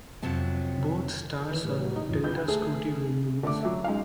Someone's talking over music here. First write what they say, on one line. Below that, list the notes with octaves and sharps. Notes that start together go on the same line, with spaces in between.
Both stars are Delta Scuti variables.
F2 C3 F#3 A5
D#3 E3
A2 G3 B4
F#3
D#4
E2 G#2 E3 F4
C2 B4 G6
A3 G#4
D3 A3 D6
F#3 E5
G#3 D#4 F5